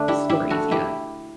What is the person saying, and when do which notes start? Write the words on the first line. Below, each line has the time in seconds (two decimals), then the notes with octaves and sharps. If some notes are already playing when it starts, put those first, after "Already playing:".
stories yet,
Already playing: D3 A3 D4
0.08 E4 G4
0.29 E4 G4
0.50 F#4 A4
0.71 E4 G4